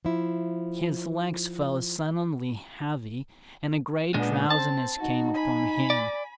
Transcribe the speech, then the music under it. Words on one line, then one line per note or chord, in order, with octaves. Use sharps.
His legs felt suddenly heavy and a great drowsiness came upon him.
F3 E4
A#2 G#3 B3 D4
C4 A5
D#4 F#4
G#5 B5
D5